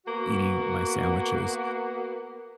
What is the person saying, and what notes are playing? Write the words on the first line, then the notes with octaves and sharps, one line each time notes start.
eating my sandwiches?
A#3 B3 F#4